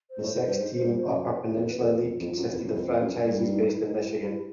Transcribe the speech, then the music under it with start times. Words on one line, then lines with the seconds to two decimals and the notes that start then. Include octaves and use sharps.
The six–team Upper Peninsula League consisted of franchises based in Michigan.
0.11 C5
0.18 G#2
0.24 A2
0.35 A2
0.47 G2
0.60 G#2
0.84 G2
1.07 F#2
1.56 F2 B4
1.80 F2 A4
2.04 F2
2.20 F2
2.28 F4
2.37 F#2
2.52 F2 E4
2.64 F#2
2.76 F2
2.89 F2
3.01 F#2 D4
3.25 G2 E4
3.37 E4
3.50 D#4
3.64 D#4
3.74 E4